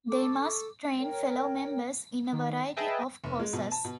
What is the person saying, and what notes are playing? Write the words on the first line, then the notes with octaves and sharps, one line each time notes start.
They must train fellow members in a variety of courses.
A4 C#6 D6
A#4 C#5 G5
D#3
G#4 B4 D#5 E5 G5 A5
F1
G#3
B2
A5
B2